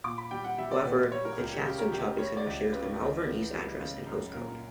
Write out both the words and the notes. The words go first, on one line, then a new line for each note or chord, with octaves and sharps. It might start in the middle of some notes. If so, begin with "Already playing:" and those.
However, the Chadstone Shopping Centre shares the 'Malvern East' address and postcode.
A#2 D6
B5
G3 G5
F#5
G3 E5
D5
A#2 B4
B4
G3 C#5
A#4
C#2 A#4
G4
C#3 G4
A#4
C#2 G4
A#4
G3 C#5
D5
C#2
C#3 B4
C#2
E3
G3
C#3
F#2
A#2 A#4